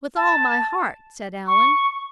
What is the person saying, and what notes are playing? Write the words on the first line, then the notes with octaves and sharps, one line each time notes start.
"With all my heart," said Allan.
A5
C#6